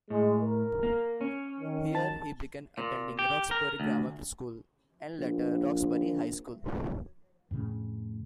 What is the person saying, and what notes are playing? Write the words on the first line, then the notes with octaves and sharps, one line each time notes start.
Here he began attending Roxbury Grammar School and later Roxbury High School.
A2 G#3
A#4
A#3
C#4
D#3
A5
A#2
G4
A#4
D2
A#1
F2 A2 C#3 A3